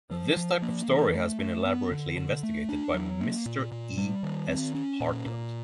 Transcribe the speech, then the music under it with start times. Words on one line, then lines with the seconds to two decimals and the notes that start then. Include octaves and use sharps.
This type of story has been elaborately investigated by Mr. E. S. Hartland.
0.11 F3
0.37 F3
0.62 A#3
0.88 E3
1.14 A3
1.40 A3
1.65 B3
1.92 D3
2.17 D3
2.43 A3
2.69 D4
2.94 F#3
3.20 A#3
3.46 A#2
3.72 A#2
3.97 G3
4.23 D#3
4.48 C4
4.74 C#4
5.00 A#2
5.26 A#2